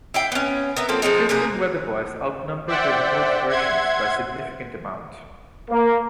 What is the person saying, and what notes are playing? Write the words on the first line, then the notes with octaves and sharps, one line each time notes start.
Drifting weather buoys outnumber their moored versions by a significant amount.
E4 F5 G5
B3 C#4
B3 A#4 E5
F3 A#3 C4 A4
F3 G#3 C4 D#4
C3 A#3 G#4 B4
C5 D5 E5 F#5 G5
E5 F#5 C6 G#6
A#3